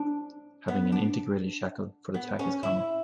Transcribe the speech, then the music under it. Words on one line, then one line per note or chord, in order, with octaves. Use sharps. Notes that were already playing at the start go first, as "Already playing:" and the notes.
Having an integrated shackle for the tack is common.
Already playing: D4
B3
D4
B3
C#4
E4